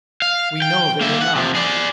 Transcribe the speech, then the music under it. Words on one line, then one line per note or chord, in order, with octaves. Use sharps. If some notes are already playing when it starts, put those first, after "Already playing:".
We know they will not.
F5
G5
A#3 E5
F#5
C3 F3
G#4 D5